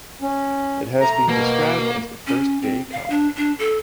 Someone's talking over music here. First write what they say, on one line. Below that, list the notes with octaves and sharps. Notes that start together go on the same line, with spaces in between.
It has been described as the first gay comic.
C#4
A3 A#5
B2 A#3
C#4
C4
F5
D4
D4
A4